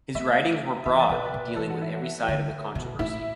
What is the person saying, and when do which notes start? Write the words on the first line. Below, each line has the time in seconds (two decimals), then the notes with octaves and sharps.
His writings were broad, dealing with every side of the controversy.
0.15 A3 E5
0.86 E3 E5
0.99 D5
1.10 B2 B4
1.25 D5
1.34 B2
1.56 E3 A4
1.70 F#4
1.81 E4
1.95 F#4
2.28 D3
2.75 B2
2.99 A2 E4